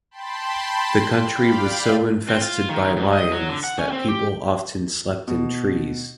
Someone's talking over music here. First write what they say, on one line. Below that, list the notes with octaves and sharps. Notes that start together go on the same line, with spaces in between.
The country was so infested by lions that people often slept in trees.
G5 A5 B5 C6
D5 F5 G5 B5
C4
F4
D#3
G#2
D#5
F#3
D3
F#5
C#4
C4
G4
B2